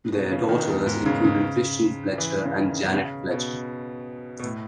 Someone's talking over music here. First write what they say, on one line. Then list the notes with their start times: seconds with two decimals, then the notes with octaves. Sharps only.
Their daughters included Christian Fletcher and Janet Fletcher.
0.12 B2
0.31 C#3
0.49 D#3
0.68 E2
0.86 G#2
1.06 C#3
1.25 C#3
2.18 E3
2.45 C#3
2.56 D#3
2.86 B2
2.94 C#3
3.31 B2
4.39 B2
4.43 A2